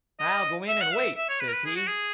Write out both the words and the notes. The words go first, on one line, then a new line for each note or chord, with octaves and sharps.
'I'll go in and wait,' says he.
D#5
E5
F#5
E5
E5
C#5
B4
A#4
B4
G#4
F#4
G#4